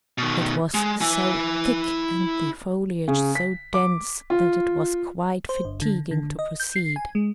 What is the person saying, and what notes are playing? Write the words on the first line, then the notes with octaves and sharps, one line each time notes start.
It was so thick, and the foliage so dense, that it was quite fatiguing to proceed.
B2 D#3
G#3
E4 G#5
C#3
B6
D6
F4
C5
G1
D3
D3
D#5
G6
C7
G#5
G#3